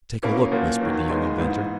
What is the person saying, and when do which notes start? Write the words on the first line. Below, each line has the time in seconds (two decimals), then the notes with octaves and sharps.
"Take a look," whispered the young inventor.
0.23 B2 A#3 C#4 E4
0.52 A#2 F#3 A#3
0.81 E2 D#3 F#3 A#3
1.09 A#2 G#3 B3 D#4
1.38 G#2 E3 B3